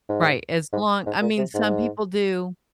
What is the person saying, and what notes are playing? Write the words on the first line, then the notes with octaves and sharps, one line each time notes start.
Right. As long I mean, some people do,
G#2
G#2
G#2
A#2
C3
G#2